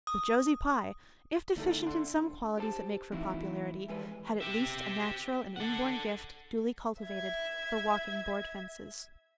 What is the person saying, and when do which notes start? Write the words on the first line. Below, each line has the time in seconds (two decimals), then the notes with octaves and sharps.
But Josie Pye, if deficient in some qualities that make for popularity, had at least a natural and inborn gift, duly cultivated, for walking board fences.
0.07 D#6
1.56 D3 A3 D#4 E4 A4
1.87 D4 F#5 C6
2.58 G4 C5 A5
3.12 E3 A3 C4 D#4 E4 F#4
3.88 E3 G3 G#3 B4
4.41 G4 E5
5.56 A4 F#5
7.03 E5 G#6